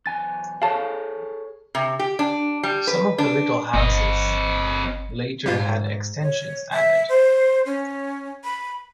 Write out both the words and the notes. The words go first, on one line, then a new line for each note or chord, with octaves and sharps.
Some of the little houses later had extensions added.
B1 E2 G#5 A6
G#4 A4 C#5 F5 A5
C3
G4
D4
G3
B4
D4
G1 C4 D#5
G#2 G3 F4
C#5
E5
C5
C#4
B5